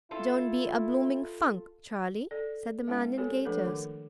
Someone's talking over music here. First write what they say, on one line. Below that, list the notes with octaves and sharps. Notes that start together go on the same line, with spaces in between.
"Don't be a bloomin' funk, Charlie," said the man in gaiters.
E4 F4 A4
A4 D5
G#3 C#4 E4 F#5
F#4 G4 A4 A#4 C#5 G#5
F3 A3 D4 A4 B4
D#3 A3 A#4 D6